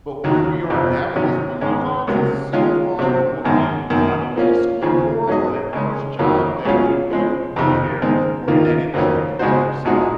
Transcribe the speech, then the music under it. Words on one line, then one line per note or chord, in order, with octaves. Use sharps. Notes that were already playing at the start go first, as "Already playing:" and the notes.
but where we are now, at this point in our lives, is so far from what we either went to school for, or that first job that we thought we would be there, or in that industry forever, so
D#2 D#3 F#3
F2 C3 F3
C3 D#3 F#3 C#4
G#2 D#3 G#3 C#4
C#2 C3 F#3 A#3
D#3 G#3 C#4 F4
C3 F#3 C4
G#1 F#2 D#3
F#2 D#3 A#3
F3 A#3 C#4 F4
D#2 C#3 F3
G#2 F#3 C#4 G#4 D#5
C#3 G#3 C#4
F2 D#3 F#3 A#3
C#2 C#3 F#3 C#4 F4
F3 G#3 C4
F2 C3 D#3
D#3 G#3 C4
D#2 D#3 A#3 F4
F2 D#3 F#3 A#3 C#4
C#3 G#3 D#4 F#4 C5
A#1 A#2 G#3 D#4 F#4